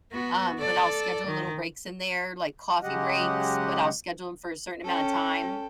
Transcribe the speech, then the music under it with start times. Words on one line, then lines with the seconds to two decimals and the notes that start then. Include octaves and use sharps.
um, but I'll schedule a little breaks in there, like, coffee breaks, but I'll schedule 'em for a certain amount of time,
0.12 B3 F#4
0.59 A4 D5
1.27 D#3
2.82 C#3 F#3 G#3 G4 D#5 F#5
4.85 C#4 A4 G5